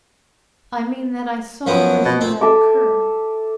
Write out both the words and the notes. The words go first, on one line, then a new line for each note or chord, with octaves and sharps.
"I mean that I saw everything that occurred."
F#2 F3 B3
B2
A#2 C4
A4 E5 D6